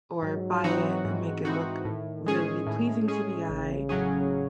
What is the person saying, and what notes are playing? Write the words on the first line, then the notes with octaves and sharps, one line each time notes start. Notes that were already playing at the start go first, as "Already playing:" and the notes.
or buy it and make it look really pleasing to the eye,
G#2 F#3
E3 C4 D#4 F#4
G#2
E3 C4 D#4 F#4
A2 D#3
G#3 C#4 G#4
A2
G#3 C#4 G#4
A1 C#3
A2 F#3 C#4 G#4